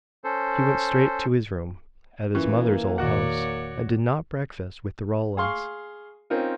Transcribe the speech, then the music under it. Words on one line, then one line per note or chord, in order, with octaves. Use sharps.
He went straight to his room, at his mother's old house, and did not breakfast with the Rowlands.
C#4 A4 C5
E3 A#3 C#4 F4
E2 A#2 D#3 F#4 C#5 D5 F#5
G#4 F5 C6 C#6
C4 C#4 D#4 F4 A#4